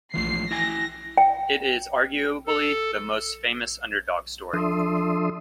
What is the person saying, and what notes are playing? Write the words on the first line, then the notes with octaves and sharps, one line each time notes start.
It is arguably the most famous underdog story.
E3 F3 A3 C7
E4 G5 G#5 A#6
G5
A4
F3 D4 A4 E5 C6 D#6